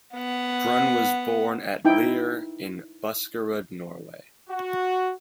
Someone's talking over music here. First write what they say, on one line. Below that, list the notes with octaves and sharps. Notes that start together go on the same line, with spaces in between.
Brun was born at Lier in Buskerud, Norway.
B3 F#5
D#4 E4 G5
F#4